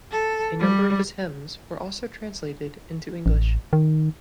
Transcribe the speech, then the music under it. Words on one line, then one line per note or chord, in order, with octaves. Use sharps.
A number of his hymns were also translated into English.
A4
G3
A1
D#3